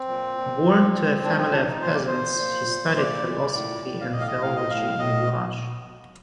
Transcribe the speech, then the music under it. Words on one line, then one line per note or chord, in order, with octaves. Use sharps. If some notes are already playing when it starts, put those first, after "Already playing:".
Born to a family of peasants, he studied philosophy and theology in Blaj.
Already playing: C4
A#2
A#2
A#2
A#2
A#2 D4
C4
A#2 D4
D#4
A#2 C5
D5
A#2 C5
A#2
A#2
A#2 D5
A#2
A2
A2
F5
A2 D#5
F5
D#5
A2 F5
D#5
A2 F5
A2 D#5